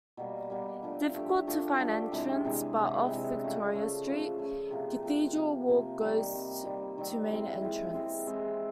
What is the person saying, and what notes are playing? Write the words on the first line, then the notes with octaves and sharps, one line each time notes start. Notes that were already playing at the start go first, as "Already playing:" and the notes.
Difficult to find entrance but off Victoria Street, Cathedral Walk goes to main entrance.
B2 G3 A#3
B2 G3 A#3
F3 A3 D4 G4
F3 A3 D4 G4
F3 A3 D4 G4
F3 A3 D4 G4
C3 E3 G#3 C4
C3 E3 G#3 C4
C3 E3 G#3 C4
C3 E3 G#3 C4
C#3 F3 A3
C#3 F3 A3
C#3 F3 A3
C#3 F3 A3
C3 F3 A#3
C3 F3 A#3
C3 F3 A#3
C3 F3 A#3
D#3 G3 C4
D#3 G3 C4
D#3 G3 C4
D#3 G3 C4
E3 G#3 C4
E3 G#3 C4
E3 G#3 C4
E3 G#3 C4